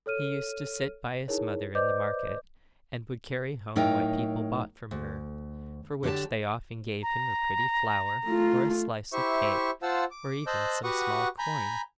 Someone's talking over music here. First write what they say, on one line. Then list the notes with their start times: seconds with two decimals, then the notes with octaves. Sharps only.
He used to sit by his mother in the market and would carry home what people bought from her, for which they often gave him a pretty flower, or a slice of cake, or even some small coin.
0.06 A4 C#5 F6 D#7
1.28 D#4 E4 G#4 A#4 C#5
1.75 B4 C5 D5 D#5 D6 G6
3.76 A2 F#3 D#4 A#4 G5
4.91 D2
6.03 D3 F#3 G4 D5 A5
7.03 A#5
8.26 A3 F4
9.13 E4 G4 C5 E5 C#6
9.83 F4 C5 F5 F#5 A5 E6
10.11 D6
10.47 C5 D#5 A5 E6 F#6 G6
10.84 F#4 G4 B4 F#5 C#6 D#6
11.39 G#5 A#5 B5 G6